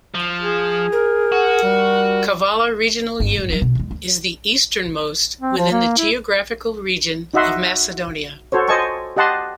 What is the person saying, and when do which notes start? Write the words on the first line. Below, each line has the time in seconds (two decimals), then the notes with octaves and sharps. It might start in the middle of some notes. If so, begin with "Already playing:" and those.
Kavala regional unit is the easternmost within the geographical region of Macedonia.
0.15 F3
0.41 G#4
0.92 A#4
1.32 F#4
1.63 G3
3.20 G1 C4
3.35 A1 G#2
3.49 F3 G3
3.62 B2 D3
3.75 E2 G#3
3.91 D2
5.41 C4
5.57 F3
5.72 A#3
5.98 E4
7.34 D#4 F#4 D#5 E5 F#5 C6
8.52 F#4 A4 C5 C#5
8.68 C5 D#5 G#5 A5 C#6
9.16 G4 D#5 F#5 A5 C6